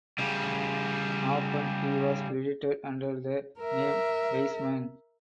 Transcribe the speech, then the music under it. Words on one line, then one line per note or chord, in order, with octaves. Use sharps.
Often he was credited under the name Weisman.
C#3 G3
A#4 E5